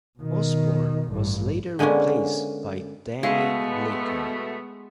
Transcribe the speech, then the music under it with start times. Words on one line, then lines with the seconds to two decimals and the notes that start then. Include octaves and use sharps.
Osborne was later replaced by Danny Lilker.
0.19 B2 D#3
1.09 A1 G2
1.79 D3 G#3 A#3 B3 C#4
3.23 B2 G#3 A3 B3 F5